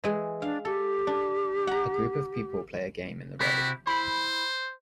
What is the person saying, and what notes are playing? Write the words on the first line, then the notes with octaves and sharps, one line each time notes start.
A group of people play a game in the road.
E3 G#3
D4 F5
G4 A4
D4
F#5 A#5
C3 E4 F#4 G4
E4 C5 B5